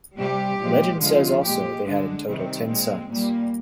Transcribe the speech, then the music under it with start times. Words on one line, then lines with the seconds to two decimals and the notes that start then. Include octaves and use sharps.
Legend says also they had in total ten sons.
0.17 C3 G3 G4
0.59 A#2 F3 G#3
1.01 D3 F3 G#3 F4
1.42 A#2 G#3 G4
1.84 D3 G#3 D4
2.26 C3 D#3 G3 C4
2.68 A#2 G#3
3.09 A#2 G3 A#3